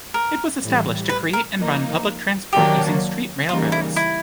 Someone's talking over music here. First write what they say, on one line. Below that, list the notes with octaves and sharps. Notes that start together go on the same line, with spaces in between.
It was established to create and run public transport using street railroads.
A#4
A2 E3 G3
B4
A#4
F3 A#3 D#4
D#3 F#3 A#3 D4 G4
C#3 E3 G3 A#3 D#4 F4
E4
E4